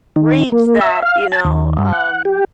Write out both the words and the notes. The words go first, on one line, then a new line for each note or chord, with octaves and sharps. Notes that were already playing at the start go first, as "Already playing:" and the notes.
Reads that, you know, um
D#3
A#3
E5
F5
A5
D#2
G2
F#5
G4